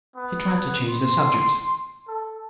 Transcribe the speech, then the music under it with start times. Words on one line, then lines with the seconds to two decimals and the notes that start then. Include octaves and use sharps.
He tried to change the subject.
0.16 B3
0.88 C6
2.08 A4